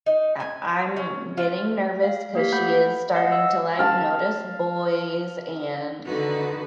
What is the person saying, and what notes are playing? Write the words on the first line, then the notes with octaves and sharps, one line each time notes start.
I I'm getting nervous 'cause she is starting to, like, notice boys and,
D#4
G#5
C#4
F4
F5
A#3 G4 F5 B6
A3 F#5 B5 G6
D#5 F5 F#5
E6
F5 A5
D3 D#3 D#4 F#4 B4